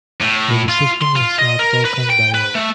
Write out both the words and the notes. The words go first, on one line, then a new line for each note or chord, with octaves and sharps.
The decision was not welcomed by all.
A2
F4
C6
F4
D#5
A#4
B4
G5
B4
A3